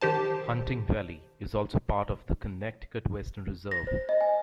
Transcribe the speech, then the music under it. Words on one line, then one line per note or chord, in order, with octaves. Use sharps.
Hunting Valley is also part of the Connecticut Western Reserve.
D#3 G4 C5 A5
A#6
C5
D#5
G#5